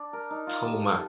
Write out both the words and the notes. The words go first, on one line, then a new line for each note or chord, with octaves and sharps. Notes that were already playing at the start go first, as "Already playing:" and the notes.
Oh my
Already playing: D4 D5
A#4
D#4
F4
G4
A4